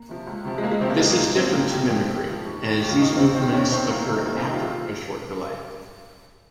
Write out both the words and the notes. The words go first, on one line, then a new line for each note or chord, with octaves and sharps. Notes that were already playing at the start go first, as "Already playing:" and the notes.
This is different to mimicry, as these movements occur after a short delay.
Already playing: A#3
C3 F3
C#2
C3 F3
G#3
C#2 A#3
G#3
C3 F3 C4
A#3
A#1 G#3
A#3
G#2 F3
A#1 C4
C4
G#2 F3 A#3
A#1 G4
G#2 F3 G4
A#1
G#2 F3
D#2
D#3
D#2 G4
F4
D#3 D#4
A#3
D#2 C4
D#3 C4
D#2 C#4
D#3 C4
C2 A#3
C3 D#3
C2 A#3
C4
D#3 D#4
C3 F4
F4